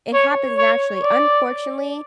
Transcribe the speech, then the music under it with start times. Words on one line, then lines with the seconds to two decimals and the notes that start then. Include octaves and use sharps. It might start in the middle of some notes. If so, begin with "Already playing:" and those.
It happens naturally. Unfortunately,
0.14 C#5
0.58 C#5
1.03 D5